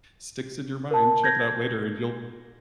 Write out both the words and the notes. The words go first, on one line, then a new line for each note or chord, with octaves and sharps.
sticks in your mind, check it out later and you'll
A#4 A5
G6 G#6 A#6